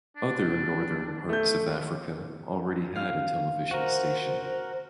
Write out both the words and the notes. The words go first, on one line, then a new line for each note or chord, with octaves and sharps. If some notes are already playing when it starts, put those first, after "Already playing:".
Other Northern parts of Africa already had a television station.
D4
A3 G6
F5 F6
F#4 A#4 C5